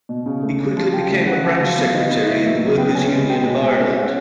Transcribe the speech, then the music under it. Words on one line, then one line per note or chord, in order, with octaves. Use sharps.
He quickly became a branch secretary in the Workers' Union of Ireland.
B2
C#3
A3
C#3
F3
C#3 G5
A3
C#3 F#5
F3
F#3 F5
B3
D#3
B3
D#3 E5
F#3 E5
F#3
B3 G5
C#4 G#5
G#3
G#3 G5
B2
G#3 G#5
C#4
C#4 F#5